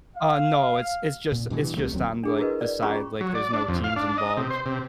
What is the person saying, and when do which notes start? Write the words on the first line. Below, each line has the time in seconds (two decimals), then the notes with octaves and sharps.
Uh, no. It's it's just it's just on, like, the side, like, there's no teams involved.
0.16 F5
1.32 A#2
1.50 G2 B2 E3
1.77 C2 C3 G3 A3
1.92 D1 D#2 F#3 C4
2.24 D4 G#4
2.39 E4 F#4 A#4 B4 D#5
2.61 D5
2.82 C#4 F4 G#4 A#5 B5 C#6
3.21 F#3
3.35 D5
3.53 D4
3.68 F2
3.84 F5
3.96 D4
4.18 D#5
4.37 C3
4.50 C5
4.66 C3